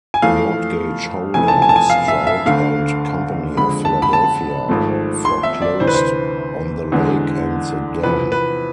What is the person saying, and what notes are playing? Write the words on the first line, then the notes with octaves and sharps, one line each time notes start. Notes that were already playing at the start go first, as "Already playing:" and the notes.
A mortgage-holder, Stroud and Company of Philadelphia, foreclosed on the lake and the dam.
G#5
F2 E3 A3 F5
F1 F2 E3 A3 G#5
A5
G#5
A5
G#5
F5
E5
E5
D2 D3 A3 F5
F2 D3 G#3 B5
A5
B5
A5
G#1 G#2 F3 A3
C6
E5
D5
D2 C3 E3 C5
B4
C5
E2 D3 G#3
E2 C3 F3 B4
B4